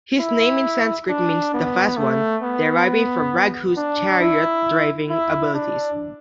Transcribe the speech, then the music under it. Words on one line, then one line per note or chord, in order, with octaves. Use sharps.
His name in Sanskrit means "the fast one", deriving from Raghu's chariot-driving abilities.
E4
D4
B3
A3
B3
D4
E4
E4
D4